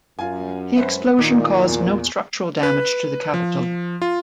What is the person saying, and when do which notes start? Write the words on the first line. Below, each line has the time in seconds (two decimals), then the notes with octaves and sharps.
The explosion caused no structural damage to the Capitol.
0.19 F#2 F4 G#5
0.77 B4 C5 E5
1.19 A#2 D#3 D#4 D6
1.69 E2
2.63 B4
3.34 F3
4.02 F4